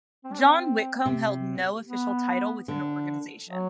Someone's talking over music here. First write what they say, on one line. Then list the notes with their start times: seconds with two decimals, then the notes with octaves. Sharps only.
John Whitcomb held no official title within the organization.
0.24 C4
0.32 D4
0.41 C4
1.06 C3
1.88 B3
2.68 D3
3.49 F#3